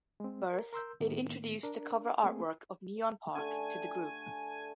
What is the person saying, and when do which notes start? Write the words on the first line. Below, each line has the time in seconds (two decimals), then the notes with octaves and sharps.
First, it introduced the cover artwork of Neon Park to the group.
0.20 G#3 C4
0.52 A#4
0.73 A#4 C6 E6 G6
1.00 A2 D#3 A#3 B3
1.63 D4 A#4
2.23 A3 A#3 C4 G#4
3.35 D3 A3 G4 G#5